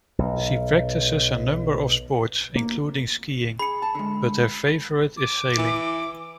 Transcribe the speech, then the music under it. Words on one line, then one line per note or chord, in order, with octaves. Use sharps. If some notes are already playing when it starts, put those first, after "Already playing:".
She practices a number of sports including skiing, but her favorite is sailing.
B1
A#3
G#4 B5 C#7
A5
D3 G#3
D6
E3